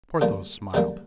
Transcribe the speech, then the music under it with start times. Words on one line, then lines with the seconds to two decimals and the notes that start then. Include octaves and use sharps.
Porthos smiled.
0.21 D2 C#3 G3 A#3
0.74 D2 C#3 G3 A#3